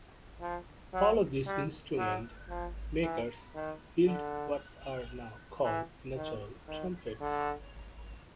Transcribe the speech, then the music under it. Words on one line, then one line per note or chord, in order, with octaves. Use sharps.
All of these instrument makers built what are now called natural trumpets.
F3
F#3
G3
F#3
F3
E3
D#3
D3
E3
D#3
D#3
D3